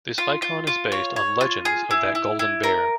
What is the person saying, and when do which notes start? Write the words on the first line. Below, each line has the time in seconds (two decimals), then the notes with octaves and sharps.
This icon is based on legends of that golden bear.
0.18 F4
0.42 F4
0.67 F4
0.92 C#5
1.16 C#5
1.41 F4
1.65 G#4
1.91 E4
2.15 E4
2.39 E4
2.63 A#4